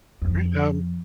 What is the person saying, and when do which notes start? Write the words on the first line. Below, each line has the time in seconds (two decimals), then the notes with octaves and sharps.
Alright? Um,
0.22 F2